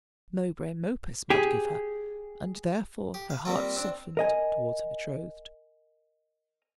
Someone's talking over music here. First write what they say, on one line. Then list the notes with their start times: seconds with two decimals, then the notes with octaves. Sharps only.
Mowbray and Mopus might give her, and therefore her heart softened towards her betrothed.
1.30 G4 G#4
3.14 G4
3.30 F5
3.45 G3 A#3 C4 F4
3.76 C4 D4
4.17 A#4 D#5 G#5